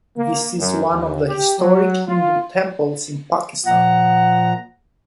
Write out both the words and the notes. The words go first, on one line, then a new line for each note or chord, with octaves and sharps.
This is one of the historic Hindu temples in Pakistan.
A#3
F#2
D#2
G4
F#3
F4
A#2 F3 F#5 A#5